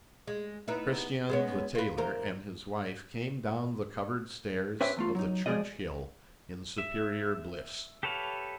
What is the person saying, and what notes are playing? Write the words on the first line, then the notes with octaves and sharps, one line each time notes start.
Christian the tailor and his wife came down the covered stairs of the church-hill in superior bliss.
G#3
B3 D#4 E4
G#3 B3 C#4
F4 B4
E2 A#4 C5
C#4 G4 B4 C5 E5
E2 A3 F4
F#3 D#4
F3 G#3 G#4 D5 D#5
E5
G4 A4 B4 C#5 F5